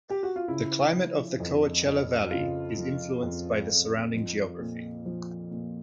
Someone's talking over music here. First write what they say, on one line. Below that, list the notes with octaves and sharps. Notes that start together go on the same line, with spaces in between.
The climate of the Coachella Valley is influenced by the surrounding geography.
G4
F#4
F4
C#3 E4
F3
F2
F2
C#3 F4
F3
F2
F2
F3
A#2
F3
A#2